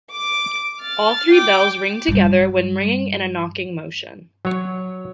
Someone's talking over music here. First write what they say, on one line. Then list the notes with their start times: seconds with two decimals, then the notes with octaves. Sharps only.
All three bells ring together when ringing in a knocking motion.
0.11 D6 D7
0.81 F6 A6
1.31 G5 D6
2.08 G2 G3
4.45 F#3 C#5